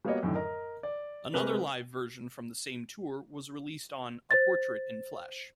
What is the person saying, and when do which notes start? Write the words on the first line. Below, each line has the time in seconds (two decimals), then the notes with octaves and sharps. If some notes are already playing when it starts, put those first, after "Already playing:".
Another live version from the same tour was released on "A Portrait in Flesh".
0.05 G3 A#3 B3 F#4 C#5 D#5
0.23 F#2 A2 D3 D#3
0.35 A#4 D#5 A#5
0.83 D5
1.34 C3 G#3 A#4 B4
4.31 C5 A6